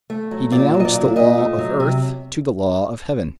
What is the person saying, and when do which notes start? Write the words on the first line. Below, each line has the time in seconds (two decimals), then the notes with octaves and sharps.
He denounced the law of earth to the law of Heaven.
0.10 A3
0.31 F#3
0.52 A#2 D5
0.74 F#3
0.80 D#5
0.85 D5
0.95 A#2
1.16 A#2 D#5
1.38 A3
1.58 F#3
1.80 C3